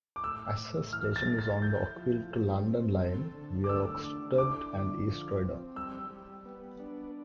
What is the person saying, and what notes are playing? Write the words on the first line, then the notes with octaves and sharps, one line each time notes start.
Ashurst station is on the Uckfield to London line via Oxted and East Croydon.
D6
A2 E6
A2
E3 F6
A6
A3
A6
E4 G6
F3
A3
C4
A4
D3
D6
A3 E6
D4
E4 D6
D3
F3
C4
G3 E6
G3
B3
D4